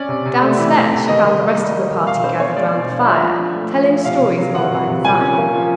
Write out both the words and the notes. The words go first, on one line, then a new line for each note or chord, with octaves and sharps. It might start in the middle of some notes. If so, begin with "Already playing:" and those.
Down-stairs she found the rest of the party gathered around the fire, telling stories of Auld Lang Syne.
Already playing: C#4 D5
C3
C3
A3
E3
C3
C3
D#3 D#5
D#3
A#3
G3
D#3
D#3
B2 F5
D4 C5
B3 C#5
G#3 D5
B2
D4
F3 E5
F3
D4
A3
F3
F3
C3 F5
C3
F#3
D#3 F#5
C3
C3
A#2 G#5
C#4
A#3
F3